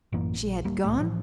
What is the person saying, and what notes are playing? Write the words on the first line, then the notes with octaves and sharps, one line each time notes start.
"She had gone?"
A1 F#2 E3 A#3
A#1
D1 G3 A#3
C2 F#2 A2 A3
A2 E3 F3